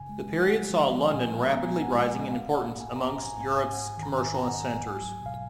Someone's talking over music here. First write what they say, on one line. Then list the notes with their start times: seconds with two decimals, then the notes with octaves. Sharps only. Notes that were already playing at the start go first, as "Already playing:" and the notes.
The period saw London rapidly rising in importance amongst Europe's commercial centres.
Already playing: F#2 C#3 G#5
0.09 G#3
0.29 G#3
0.49 G#3 F#5
0.70 F3
0.80 F5
0.91 F3
1.11 A#2 G#5
1.32 G#3
1.42 A#5
1.52 B3
1.72 B1 G#5
1.82 F#5
1.88 G#5
1.93 G#3
2.03 F#5
2.13 A#2
2.19 D#5
2.34 A#1 F5
2.49 A#1 F#5
2.65 F#5
2.74 G#2
2.80 G#5
2.95 A#1 A#5
3.11 A#1 A#5
3.26 G#5
3.37 G#2 G#5
3.57 G#2 G#5
3.73 F#5
3.78 G#2
3.97 D#3
4.03 A#5
4.18 G#2 G#5
4.34 G#1 A#5
4.49 F#5
4.60 G#2 G#5
4.79 C#2 G#5
4.96 G#5
5.01 F#3
5.21 B2 F5